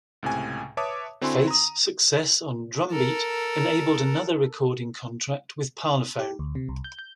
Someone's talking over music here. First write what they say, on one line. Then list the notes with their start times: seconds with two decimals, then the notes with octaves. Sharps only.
Faith's success on "Drumbeat" enabled another recording contract, with Parlophone.
0.23 C#2 A2 C3 G#5
0.77 B4 C#5 E5 A5 D6 D#6
1.21 D3 C4 E4 F#4 G#5 C6
1.48 A#5 D#6
2.92 A4 A#4
6.19 G4
6.39 D2
6.55 C3
6.69 C2
6.84 G6
6.99 G6